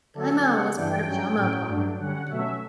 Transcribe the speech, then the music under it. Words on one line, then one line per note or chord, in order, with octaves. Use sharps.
Gaimau was part of Jamo block then.
D3 F#3 A3 D4 A4
C#3 G3 B3 D4 F#5
G2 E3 G3 D4 G5
G2 F#3 C#4
A2 F#3 C#4
G2 F#3 A3 D4
D3 G3 C#4 F#5
B2 F#3 A3 C#4 E5